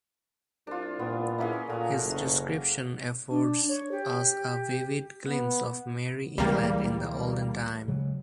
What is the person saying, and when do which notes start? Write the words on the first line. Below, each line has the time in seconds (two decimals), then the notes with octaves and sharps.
His description affords us a vivid glimpse of merry England in the olden time.
0.67 C2 D4 F4
0.99 A#2 B3
1.38 A#3 C#4 E4 G#4
1.69 A#2 A3 F#4 F5 F#5
2.03 F#1
3.30 D4
3.68 C#5
3.91 G4
5.28 B3
6.38 D2 E3 G3 G#3 A#3
7.88 C#3 F#3 G#3